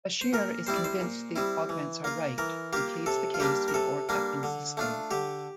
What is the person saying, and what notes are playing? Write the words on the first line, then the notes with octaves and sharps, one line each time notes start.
Bashir is convinced the augments are right, and pleads the case before Captain Sisko.
C5
A#2 A#4
G3 C4 E4 C5
D5
C5
A#2
G3 C4 E4
E3
A#3 F4
E3 A#4
A#3 F4 G4
C3 A4
F4
G3 A#3 D4 G4
A#4
C3 A4
G3 A#3 D4
D3
A3 D4 F4
D3 G4